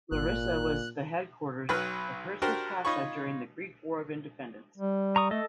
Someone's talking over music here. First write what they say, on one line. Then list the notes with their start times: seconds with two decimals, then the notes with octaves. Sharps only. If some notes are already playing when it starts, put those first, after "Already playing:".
Larissa was the headquarters of Hursid Pasha during the Greek War of Independence.
0.12 G#1 A#2 F#6
1.69 B1 F#3 B4 B5 F6 F#6
2.42 D4 F#4 G4 A#4 C5
2.85 D#4 F4 C#5 B5 C#6
4.78 G3
5.16 A#5 C#6 D#6
5.31 A3 A4 D#5